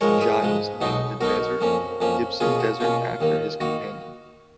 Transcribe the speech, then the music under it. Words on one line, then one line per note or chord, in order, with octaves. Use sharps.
Giles named the desert Gibson Desert after his companion.
G#2 F3 G#3 A#4 C#5
G#4 B4
G#2 F3 G#3
B1 B2 F#3 B3 D#4
B1 B2 F#3 B3 D#4 F#4 A#4
F2 F3 A#3 C#4
F2 F3 A#3 C#4
B2 A#3 C#4 F4 G#4
F#4
B2 A#3 C#4 F4
D#2 D#3 A#3
D#3 A#3 F#4